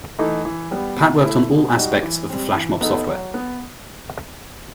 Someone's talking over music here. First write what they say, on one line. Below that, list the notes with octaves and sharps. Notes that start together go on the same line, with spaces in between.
Pat worked on all aspects of the FlashMob software.
E3 A3 D#4
E3
G3 B3
B2
A3 E4
B2
G3 D#4 F#4
E3
G3 C4
E3
B3 D#4 A4
F#3
B3